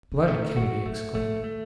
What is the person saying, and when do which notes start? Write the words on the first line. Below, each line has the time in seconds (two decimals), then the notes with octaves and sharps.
"Blood!" Kennedy exclaimed.
0.12 C3
0.20 C#3
0.27 D#3 A3
0.57 F#3 F#4
0.86 F#3 A3
1.15 F3 A3
1.36 D#3
1.44 A3